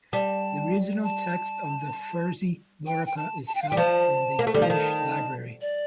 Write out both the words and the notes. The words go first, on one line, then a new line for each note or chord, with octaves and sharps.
The original text of the Fursey Lorica is held in the British Library.
G3 A5
A5
G5
G5
A5
A5
G5
F5
G5
G3
F3 A5
A#3
A3
G3
F3
D#3 A5
D5